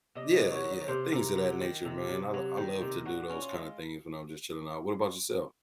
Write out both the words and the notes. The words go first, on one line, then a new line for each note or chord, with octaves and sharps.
yeah, yeah, things of that nature, man. l I love to do those kinda things when I'm just chilling out. What about yourself?
C3 D#5
F#3
C#5
D#3
D#5
C#5
C3 C5
C3 A#4
F#3
D#3
C3
C3
F#3
D#3
C3
A#2 F#4
C#4
F4
G#3